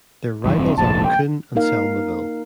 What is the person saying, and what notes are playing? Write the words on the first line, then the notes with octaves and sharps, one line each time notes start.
Their rivals are Raccoon and Selmaville.
C#2 G2 E3
E1 G2 C4
F1 A#1 G#2 A5
G5
A#3 D#4 A#4 F5